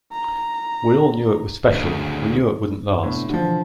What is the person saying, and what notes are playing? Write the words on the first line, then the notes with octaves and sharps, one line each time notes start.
We all knew it was special, we knew it wouldn't last.
A#5
D2 C#3
F#2
A2 C3 B3 D4
D3 F3 G4
B2 E3